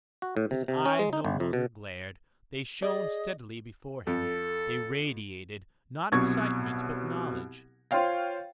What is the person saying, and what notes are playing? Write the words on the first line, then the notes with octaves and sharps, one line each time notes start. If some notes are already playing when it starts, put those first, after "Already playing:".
His eyes no longer glared; they shone steadily before him, they radiated, not excitement, but knowledge.
F#4
A2
C3
C3
C#4
G#3
D#4
G1
F2
B2
G#4 D5 D#5
F2 A4
C2 B2 F#3 C#6 G#6
F4 C5 C#5 F5 G5